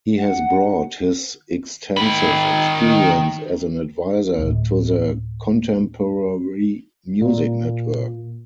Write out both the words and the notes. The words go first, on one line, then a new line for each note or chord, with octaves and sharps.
He has brought his extensive experience, as an advisor, to the Contemporary Music Network.
F#5
D#3 B5
D2 A2
A#2